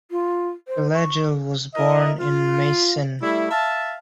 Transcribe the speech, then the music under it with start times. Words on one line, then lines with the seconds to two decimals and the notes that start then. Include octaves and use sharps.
Schlegel was born in Meissen.
0.11 F4
0.68 C5
0.94 C#6
1.75 E4 A#4 D#5
2.20 F4
3.21 G3 A3 E4
3.51 E5 F5 A5